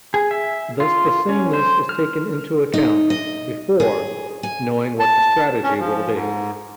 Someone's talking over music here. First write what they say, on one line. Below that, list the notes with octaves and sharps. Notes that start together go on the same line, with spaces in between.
Thus the sameness is taken into account "before" knowing what the strategy will be.
G#4
E5
F4
C#4
C5
F6
D#4
D#5
G#4
G#5
A5
C#4
F3
G#2